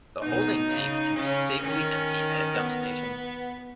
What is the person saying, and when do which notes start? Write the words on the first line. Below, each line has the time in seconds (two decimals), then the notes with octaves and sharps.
The holding tank can be safely emptied at a dump station.
0.22 B2 D#4
0.70 C#3
1.15 C#3 C#4
1.63 D#3 C#4
2.55 B3